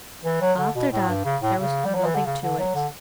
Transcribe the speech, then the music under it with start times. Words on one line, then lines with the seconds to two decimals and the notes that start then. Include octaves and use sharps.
After that there was nothing to it.
0.25 E3
0.41 F#3
0.58 D3
0.75 B2
0.92 A2
1.08 G2
1.25 C#3
1.42 A2
1.59 C#3
1.85 G3
1.95 F#3
2.05 E3
2.15 D3
2.26 C#3
2.42 D3
2.59 F#3
2.75 D3